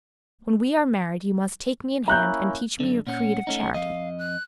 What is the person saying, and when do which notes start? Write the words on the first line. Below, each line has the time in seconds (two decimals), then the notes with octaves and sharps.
When we are married you must take me in hand and teach me your creed of charity.
2.08 A#3 C#4 E4 A#5 F#6 G6
2.80 F#2 D3
3.07 A#2 C#4 F#5
3.47 A3 C#4 D#4
3.74 F2 D#5 F5
4.19 F#6